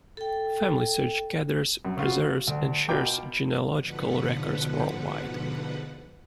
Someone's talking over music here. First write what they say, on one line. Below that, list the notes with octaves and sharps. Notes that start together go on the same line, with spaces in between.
FamilySearch gathers, preserves, and shares genealogical records worldwide.
A4 G5
F#2
C#3 F4 F#4
D2
B2 F4 A#4 G5 D6
G#2 B2 D3 F3 B4 F#5